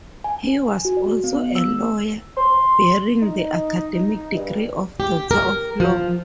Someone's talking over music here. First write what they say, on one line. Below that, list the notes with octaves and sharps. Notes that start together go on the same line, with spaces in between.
He was also a lawyer, bearing the academic degree of Doctor of Law.
G#5
F#4
D5
B3
E6
C6
D#4
G2
G4
A#4
F3